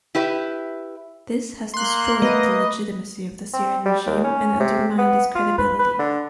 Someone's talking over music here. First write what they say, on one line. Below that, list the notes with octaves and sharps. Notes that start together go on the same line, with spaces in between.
This has destroyed the legitimacy of the Syrian regime and undermined its credibility.
E4 G4 B4 E5
A#3 C6 F#6
A3 B3 B4 D#5
C4
G3
D#2
C#4
C3
B3
F4
B4
B4
D3